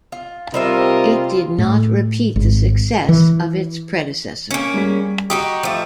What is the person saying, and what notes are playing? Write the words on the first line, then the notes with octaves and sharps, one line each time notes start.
It did not repeat the success of its predecessor.
F4
C3 G3 F4 A#4 C5 D#5 E5
A2
G#1
E3
A#3 C#4
G3 G#4 B6
D#4 F#4 G4 D#6
F3 A3